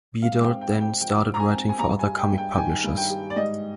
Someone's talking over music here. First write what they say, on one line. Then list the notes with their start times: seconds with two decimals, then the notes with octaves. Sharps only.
Bedard then started writing for other comic publishers.
0.22 G#2 F5
0.35 F5
0.42 G5
0.48 C4
0.61 G5
0.74 G#2
0.81 G5
1.00 F3 G5
1.27 G#2
1.34 A#5
1.40 G#5
1.53 C4
1.69 G#5
1.79 G2 A#5
1.99 G#5
2.05 G3
2.18 G5
2.32 G2
2.38 G5
2.54 G5
2.57 D#3 G#5
2.84 G2
2.97 G5
3.10 G3
3.30 D5
3.36 G#2 D#5